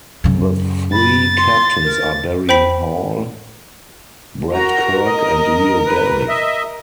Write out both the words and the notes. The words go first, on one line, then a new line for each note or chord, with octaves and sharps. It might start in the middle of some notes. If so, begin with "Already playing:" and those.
The three captains are Barry Hall, Brett Kirk and Leo Barry.
F#2 C#3
B5 A6
C6
A#4
C5 G5 B5 B6
F#4 A#4 A#5
D#5
B4
D#5 E5